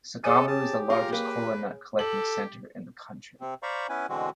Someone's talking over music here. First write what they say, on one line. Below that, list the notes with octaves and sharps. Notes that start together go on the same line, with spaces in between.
Sagamu is the largest kola nut collecting center in the country.
G#4 A4 C#5 D#5 G#5 D#6 D#7
G4 A5
F4 A#4
A#3 B4
G4 A4 F#7
C3 C4
C5 D5 F5 A#5 B5 C#6
B3 C#4 E4 B4 G#5
B2 D3 E3 G#3 C4 F#4